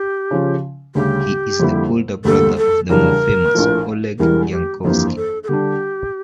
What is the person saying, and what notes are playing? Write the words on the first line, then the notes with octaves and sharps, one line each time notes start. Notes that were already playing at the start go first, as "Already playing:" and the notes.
He is the older brother of the more famous Oleg Yankovsky.
Already playing: G4
C#3 F3 C#4 F4
D2 C#3 G3 G4
F2 D3 G3 A#3 E4
E1 D2 D3 G3 A#3 A4
A4
E2 C#3 G3 D4 A#4
A#1 A2 F3
E1 E2 E3 G3 A#4
G4
G1 F2 E3 A#3 G4
A4
A4
D3 G3 D4 G4